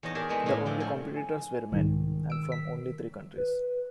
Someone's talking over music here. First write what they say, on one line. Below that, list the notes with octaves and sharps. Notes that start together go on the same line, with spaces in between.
The only competitors were men, and from only three countries.
E2 D#4 C#5 D#5 A5
G4 G#4 A#4 D5 E5 A5
E3 G#3 G#4 A4 B4
A2 A3 D#4 D#5 F5 G#5
F3 C4 D5
D3 C4 C#4 G#5
G#5
C2 G#2 D#3
E6 D7
B6
B4